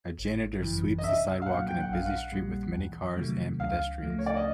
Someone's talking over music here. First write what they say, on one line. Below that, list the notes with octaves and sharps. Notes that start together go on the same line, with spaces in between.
A janitor sweeps the sidewalk in a busy street with many cars and pedestrians.
G#1
F#2 C#3 E3
D#5
C2 E5
F5
A#2 F#3 F#5
G5
F#5
A#1 F5
F#5
A#2 G3
E2
C3 D#3 F#3 A3
C#2 F5
C#3 F3 A3
C#5
D5
D#5